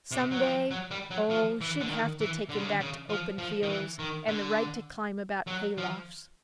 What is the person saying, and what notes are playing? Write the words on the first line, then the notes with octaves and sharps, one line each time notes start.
Some day--oh, she'd have to take him back to open fields and the right to climb about hay-lofts.
C3
F#3
F3
F#3
G3
F#3
F3
E3
D3
D#3
E3
D3
C#3
D3
C#3
F3
F3
D#3
E3
D#3
D3
F#3
F3